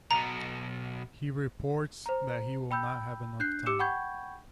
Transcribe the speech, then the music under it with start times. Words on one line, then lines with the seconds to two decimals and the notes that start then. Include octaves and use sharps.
He reports that he will not have enough time.
0.11 B1 B2 A#5
2.06 C5 A#5
2.71 G5 B5 E6 G6
3.40 D4 F#6 G6 C7
3.66 G4 D6 E6 C#7 E7
3.79 F#5 G5 B5 C#6 G6 G#6